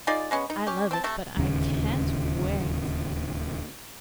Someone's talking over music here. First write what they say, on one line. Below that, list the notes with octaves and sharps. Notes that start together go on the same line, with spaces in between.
I love it, but I can't wear it.
D#4 F4 G#4 D5
G#3 B3 C#4
D#4
C#4 G4
C4 A5
C3 A3 E5
D1 D#2 C#3